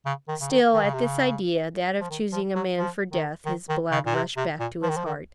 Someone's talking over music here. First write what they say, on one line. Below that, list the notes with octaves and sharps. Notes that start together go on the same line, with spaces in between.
Still, at this idea, that of choosing a man for death, his blood rushed back to his heart.
C#3
D#3
C#3
D#3
D#3
C#3
C3
C#3
F3
D#3
F3
F#3
F3
D#3
D#3
D#3
C#3
A#2
C3
C3
A#2
F3
D#3
F3
D#3